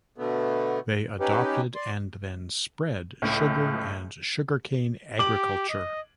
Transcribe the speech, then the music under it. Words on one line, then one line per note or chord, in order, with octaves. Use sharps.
They adopted and then spread sugar and sugarcane agriculture.
B2 D3 A3 B3
C#4 D#4 G4 B4
D5 C6
C#2 A2
G4 D6 F#7
D#5